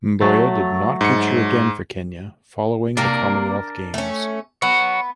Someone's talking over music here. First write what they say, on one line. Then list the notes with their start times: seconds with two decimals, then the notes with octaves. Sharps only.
Mboya did not feature again for Kenya following the Commonwealth Games.
0.21 F#3 A3
1.01 G#2 C#7
2.97 C3 A#3 D4 A#4 D5
3.94 A3 C#4
4.62 B3 C#5 F#5